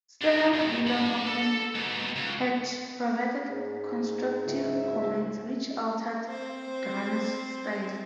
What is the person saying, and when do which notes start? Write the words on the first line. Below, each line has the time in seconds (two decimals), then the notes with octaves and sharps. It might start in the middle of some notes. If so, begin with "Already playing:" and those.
Sir William Orpen had provided constructive comments which altered Gruner's style.
0.21 G#3 D4
0.53 E2 G2
0.87 D4 B5
1.27 A4
1.75 G#2 B2
2.16 C#2
3.49 G#2
4.47 F#1 C#2 E5
6.27 C4 C5